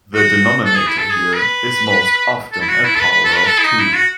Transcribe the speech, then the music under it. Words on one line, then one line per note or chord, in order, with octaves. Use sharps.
The denominator here is most often a power of two.
F#4
A4
G#4
E4
A4
G#4
B4
A4
E4
F#4
E4
A4
B4
B4
A4
B4
A4
E4
D#4
E4
F#4